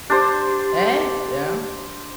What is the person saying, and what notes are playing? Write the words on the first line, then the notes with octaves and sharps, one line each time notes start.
Hey, yeah.
D4 G4 C5